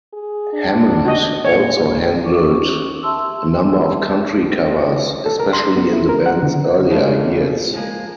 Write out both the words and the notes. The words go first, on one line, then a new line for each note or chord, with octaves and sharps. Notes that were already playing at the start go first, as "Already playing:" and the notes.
Hammond also handled a number of country covers, especially in the band's earlier years.
G#4
D4
F#4 D#5
A#2 C#5
A#2
C#4 C#6 D6
G4 E5 A5 C6 E6
A4
A#4
C6
B3
E4
A#4
F#5
D3
C#3 F3 G#3 A3 D4
F3 G#3 A#3